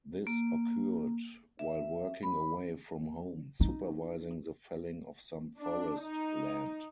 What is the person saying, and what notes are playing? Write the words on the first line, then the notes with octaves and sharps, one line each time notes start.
This occurred while working away from home supervising the felling of some forest land.
A#3
E5
B5
D#4
D4
D#4